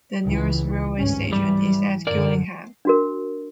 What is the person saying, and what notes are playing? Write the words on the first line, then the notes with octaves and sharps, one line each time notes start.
The nearest railway station is at Gillingham.
C#2 E3
G#1 G2 C#4
E3 G3
F#2 D3 A#4 D5
D4 F#4 A#4